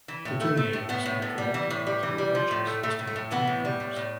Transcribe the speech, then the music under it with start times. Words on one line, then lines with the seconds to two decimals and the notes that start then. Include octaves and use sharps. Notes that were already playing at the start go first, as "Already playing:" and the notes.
The two naves are connected through arches rested on two pillars.
0.08 E3
0.25 A2
0.41 A3
0.57 A3
0.73 A2
0.89 A2 B3
1.06 A2
1.22 A2
1.38 G3
1.54 E3
1.70 A2
1.87 G3
2.03 E3
2.18 G3
2.35 F3
2.51 A2
2.67 A3
2.83 A2 A3
2.99 A2
3.07 A3
3.16 A2
3.31 E3 B3
3.47 A2
3.65 G3
3.80 A2
3.96 A2